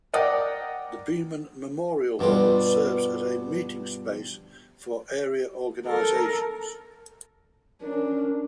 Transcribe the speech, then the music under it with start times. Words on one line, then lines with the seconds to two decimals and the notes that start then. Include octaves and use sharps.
The Beaman Memorial Hall serves as a meeting space for area organizations.
0.13 A#4 D5 D#5 F#5 G5 D#6
2.19 G2 B2 G3 F4
5.86 A4 A#4
7.82 C#4 D4 A#4